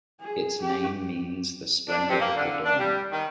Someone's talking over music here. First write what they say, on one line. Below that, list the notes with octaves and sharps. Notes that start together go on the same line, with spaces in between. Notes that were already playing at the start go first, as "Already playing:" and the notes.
Its name means the splendor of the dawn.
G#4
G4
D4
C3
A#3
D3
D4
G3
D#3